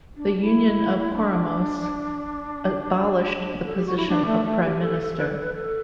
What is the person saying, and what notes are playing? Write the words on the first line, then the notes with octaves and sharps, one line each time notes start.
The Union of Comoros abolished the position of Prime Minister.
D4
D4
E4
D4
A4
G4
F#4
E4
D4
A3
A3
G4
A4
B4
A4
B4
A4